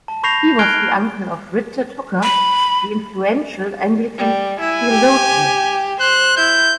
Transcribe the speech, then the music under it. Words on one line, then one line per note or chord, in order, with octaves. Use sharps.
He was the uncle of Richard Hooker, the influential Anglican theologian.
A5
B5 C#6 G6 A#6 C7 F7
F6 F#6 G#6 C7 D7 G7
B5
G3
E4 G#5
G4
C5 F#6
E4 G6